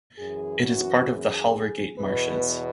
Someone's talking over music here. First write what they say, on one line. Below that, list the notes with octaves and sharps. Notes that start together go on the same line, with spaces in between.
It is part of the Halvergate Marshes.
F#2 E3 G#4
F#4
G#4
E2 B2 B4